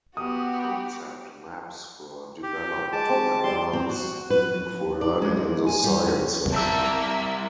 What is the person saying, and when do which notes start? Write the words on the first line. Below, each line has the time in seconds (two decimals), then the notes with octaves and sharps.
Concept maps were developed to enhance meaningful learning in the sciences.
0.17 B3 F#4 G4 D#6
2.43 G4
2.93 G#3 A5 D6
3.09 C4 C#6
3.44 G3 D5 C6
3.73 C4
3.90 F#4
4.30 B4
5.01 D5
5.22 G#3
5.37 D#2
5.67 G#5
5.84 G3
6.07 C#4
6.52 C2 G3 A#3 E5 A5 E6